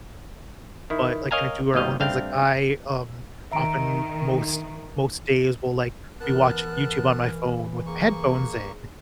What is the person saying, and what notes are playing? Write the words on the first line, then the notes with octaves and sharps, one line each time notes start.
but, like, kinda do our own things, like I, um, often most most days will, like, be watching YouTube on my phone with my headphones in,
D#3 E4
A#4 C#5 D#5 F5 G#5 A#5
G1 D#2 B2 G3 D#5 F5
G2 A3 C4 D4 F5 G5
D#3 E5 A#5 D7
E3 B3 A#4 A5 F#6
A#3 G#4 C#6